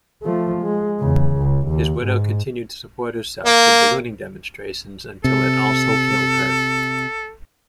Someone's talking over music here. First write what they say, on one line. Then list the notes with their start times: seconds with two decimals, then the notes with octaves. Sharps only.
His widow continued to support herself with ballooning demonstrations until it also killed her.
0.23 F3 A3
0.63 G#3
1.00 E2 C#3
1.37 C#2
1.68 D#2
2.03 G#2
3.45 A#3
5.24 C3 A4